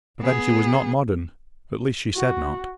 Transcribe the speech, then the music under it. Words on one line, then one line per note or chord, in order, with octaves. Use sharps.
But then she was not modern, at least she said not.
B3 G#4
F#4